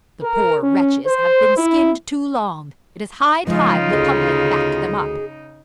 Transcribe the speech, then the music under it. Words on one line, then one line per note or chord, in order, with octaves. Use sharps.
The poor wretches have been skinned too long; it is high time the public backed them up.
A#4
C#4
C5
E4
C#3 F3 G#3 D#4 F4
D2 G#4 D#5